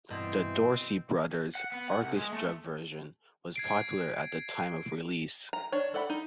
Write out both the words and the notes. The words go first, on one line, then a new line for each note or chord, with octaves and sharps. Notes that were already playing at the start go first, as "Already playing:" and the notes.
The Dorsey Brothers Orchestra version was popular at the time of release.
G2 B2 E3 C4
F#5
B3
F#5
C2
G#3
A3
G#6 C7 D7
A#5
D4 C#5
A4 D5 F#5 B5
D#4